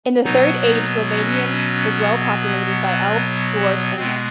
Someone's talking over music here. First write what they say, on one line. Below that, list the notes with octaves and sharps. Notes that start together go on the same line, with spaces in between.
In the Third Age Rhovanion was well-populated by Elves, Dwarves, and Men.
B2 F#3 B3 D#4
D#4
C#4
B2 G#3 B3 C4